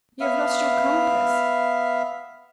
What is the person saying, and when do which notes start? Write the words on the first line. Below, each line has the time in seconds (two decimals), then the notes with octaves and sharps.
You have lost your compass!
0.20 B3 E5 F5